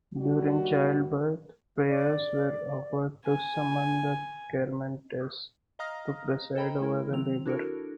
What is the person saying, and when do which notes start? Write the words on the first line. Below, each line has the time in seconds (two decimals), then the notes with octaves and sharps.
During childbirth, prayers were offered to summon the Carmentes to preside over the labor.
0.19 D#2 G3 F#4
1.89 D5
3.27 G#5
5.79 D#5 F5 A#5 D#6 F6 A#6
6.55 A4 C5 D#5 G5 A#5 B5
6.81 G#3 E4 A#4
7.11 D#3 F#3 C4 F7
7.46 D4 E4 F#4 A4 A#4